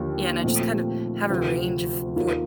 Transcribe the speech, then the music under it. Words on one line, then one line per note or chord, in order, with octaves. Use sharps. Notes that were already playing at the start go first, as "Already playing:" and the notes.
Yeah, and I just kind of have a range of where
Already playing: D#2 D3 F3
A#2 F3 A3 C4
D2 C3 F3 C4 F4
D#2 D#3 A#3 F4